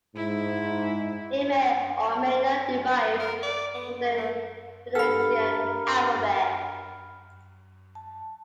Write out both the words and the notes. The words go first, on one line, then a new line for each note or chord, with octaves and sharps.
It may or may not derive from the Phoenician alphabet.
G#2 E4
B3
A#4
D5
B3
A3
A3
G2 A4 A#4 B5 F6
A5